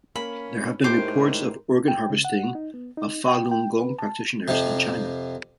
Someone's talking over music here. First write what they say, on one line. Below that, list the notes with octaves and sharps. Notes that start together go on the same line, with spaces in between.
There have being reports of Organ harvesting of Falun Gong practitioners in China.
A#3 C#4 B5
A2 G#3 A3 D#4 G4 A#4 C5 D6
G5
C#3
F#5
D#4
B3
D#4
G5
G5
B4
A5
F2 C3